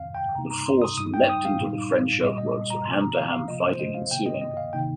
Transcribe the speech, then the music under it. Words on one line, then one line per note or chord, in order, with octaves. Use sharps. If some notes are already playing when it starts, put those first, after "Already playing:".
The force leapt into the French earthworks, with hand-to-hand fighting ensuing.
Already playing: F2 C3 D#3 C4 F5
G5
C3 G3 A#3 D#4 A#5
A#5
C6
D#6
G2 G3 D#4 D#6
G5
D#6
F5
A#2 G3 D#4
A#2 G3 C4 D#5
D#5
A#5
C3 F3 A#3 F4 C6
A#5
F5
F5
C3 F3 A#3 F4 D#5
C5
D#5
F5
C3 D#3 A#3 G5
D#5
D#5
D#5
F5
C3 D#3 A#3 D#4 G5